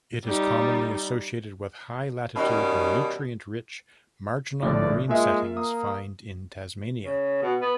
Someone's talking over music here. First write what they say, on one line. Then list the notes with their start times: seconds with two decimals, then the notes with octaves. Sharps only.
It is commonly associated with high-latitude, nutrient-rich, marginal marine settings find in Tasmania.
0.25 G3 D#4
2.35 B2 D#3 G3 C#4 G4
4.62 A#1 A2 D3 D5
5.09 G#3 A#3 F4 E5
5.57 A#3 D#6
7.03 C#3
7.42 B2
7.61 B3